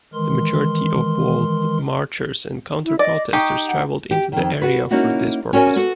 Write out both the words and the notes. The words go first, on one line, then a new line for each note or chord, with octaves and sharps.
The majority of both marchers and counter-protesters travelled into the area for this purpose.
D#3 E3 G#3 A#4 C6
E4
D5 D#5
D#4 G4 C#6
F#5
G4
F2 D#3
F#4 B4
A#3 C#4 D#4 E4 F#4
C#4 F#4 A#4 C#5 G#5
B3 F#4 A4